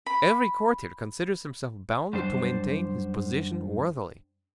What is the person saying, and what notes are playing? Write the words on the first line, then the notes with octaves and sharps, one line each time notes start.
"Every courtier considers himself bound to maintain his position worthily."
B5
F#2 G3 D4 C5